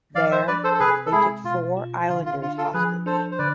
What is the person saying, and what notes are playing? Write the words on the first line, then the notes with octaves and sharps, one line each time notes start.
There, they took four islanders hostage.
F3 D5 F5
C5 E5
D4 B4 D5
A4 C5
A4
C3 G#4 B4
A4
G#3 E4 G#4
B2 F4
F4
D3 F4
F4
D4 F4
F4 A4
F3 G#4 B4
D4 A4 C5
C5
D3 B4 D5